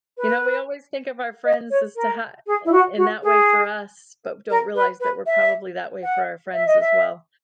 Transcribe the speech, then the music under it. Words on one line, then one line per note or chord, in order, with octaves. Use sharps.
You know, we always think of our friends as to ha i in that way for us, but don't realize that we're probably that way for our friends as well.
B4
D#5
C#5
A#4
G#4
E4
F#4
F#4
G#4
A#4
B4
B4
E5
F#5
E5
D#5
E5